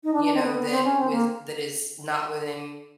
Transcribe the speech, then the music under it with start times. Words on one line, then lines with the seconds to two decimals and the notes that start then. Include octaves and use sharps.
you know, that with that is not within
0.04 D#4
0.14 D4
0.24 D4
0.34 C4
0.44 B3
0.57 B3
0.71 C4
0.85 C#4
0.98 C4
1.11 A#3